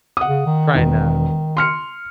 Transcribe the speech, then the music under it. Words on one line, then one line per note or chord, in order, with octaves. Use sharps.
trying to
F#5 D#6
C#3
D#3
E1
C6 F6 C#7